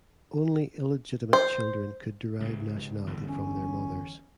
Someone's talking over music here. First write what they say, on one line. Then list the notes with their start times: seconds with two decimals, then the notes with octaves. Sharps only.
Only illegitimate children could derive nationality from their mothers.
1.33 C5
2.40 C#2 G#2 C3
3.06 G1 E2 D3
3.27 C#4